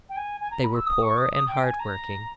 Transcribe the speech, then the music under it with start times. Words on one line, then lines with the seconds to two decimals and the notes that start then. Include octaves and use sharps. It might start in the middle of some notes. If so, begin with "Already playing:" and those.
They were poor and hard-working.
0.09 G5
0.16 G#5
0.40 G#5
0.51 A#5
0.64 B5
0.74 E6
0.86 D#6
1.02 C#6
1.17 D#6
1.33 D#6
1.48 G5
1.63 G#5
1.79 A#5